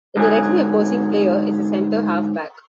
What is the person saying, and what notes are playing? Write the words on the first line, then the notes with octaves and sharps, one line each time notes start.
The directly opposing player is a centre half-back.
G#2 D3 F#3 G#4